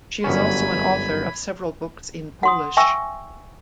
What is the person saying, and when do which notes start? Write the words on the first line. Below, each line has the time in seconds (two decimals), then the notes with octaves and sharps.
She is also an author of several books in Polish.
0.24 G1 F#2 C#4 G#5 B5
2.43 F#5 C6 D#6
2.77 E5 G5 G#5 C#6 E6